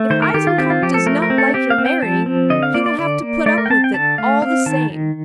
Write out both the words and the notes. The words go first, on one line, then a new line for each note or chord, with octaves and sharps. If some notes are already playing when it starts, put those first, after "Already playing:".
If Eisenkopf does not like your marrying, he will have to put up with it all the same!
Already playing: A3
D#3 C5
A#4
D#3 G4
F4
C4 G4
F4
F3 G4
A4
A3 A#4
A#4
C4
A4
C4 G4
F5
C4
G5
F3 A5
C4
D3 D#5
F5
A#3 D5
D5
D3 D5
A#3
A3 D5
A#4
G5
C4 A5
G5
D3 A5
A3 F5
C4 F5
D#3 A5
D#3